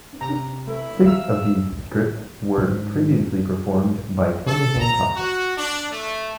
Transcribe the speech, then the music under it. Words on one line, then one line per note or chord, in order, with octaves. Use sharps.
Six of these scripts were previously performed by Tony Hancock.
C3 A#5
A3 E4
E5 F5 A#5 E6 F6
G#2
A4
A#5
F#4
D4
A3